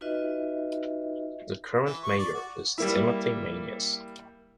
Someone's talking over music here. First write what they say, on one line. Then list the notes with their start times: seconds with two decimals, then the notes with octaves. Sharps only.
The current mayor is Timothy Maniez.
0.01 D#4 F4 F#4 B4 D#5 E5
1.86 E3
2.03 C#6
2.18 D5
2.34 F#4
2.78 G3 A#3 E4